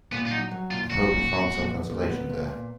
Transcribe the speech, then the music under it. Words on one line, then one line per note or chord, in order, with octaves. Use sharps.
I hope he found some consolation there.
A#2 B3
F4
F#3 D#4
F#3
A#2 F4
F#3 F#4
A#2
A#2
A#2
B3
A#2
B3
A#2
A#2